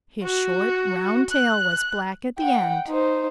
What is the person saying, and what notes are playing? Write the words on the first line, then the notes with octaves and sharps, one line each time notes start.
His short, round tail was black at the end.
F#4
F#6
F#5 G5
D#4 C5